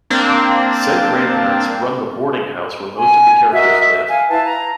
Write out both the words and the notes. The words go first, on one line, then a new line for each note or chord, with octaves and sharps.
Said grandparents run the boarding house where most of the characters live.
A#3 C4 D4
G#5
F#4 A#4 D#5 E5
E5
F5 G#5
E4 B4 F5 A5
A#5